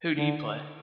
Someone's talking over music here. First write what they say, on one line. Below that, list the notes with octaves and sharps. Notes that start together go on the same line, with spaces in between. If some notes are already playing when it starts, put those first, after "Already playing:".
Who do you play?
D3